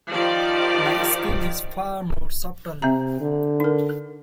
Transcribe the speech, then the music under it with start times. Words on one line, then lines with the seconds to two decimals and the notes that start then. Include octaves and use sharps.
My scheme is far more subtle.
0.11 D#3 F3 G4 D5
2.82 C3 C4 E5 A#5
3.20 D3
3.60 D#4 A#4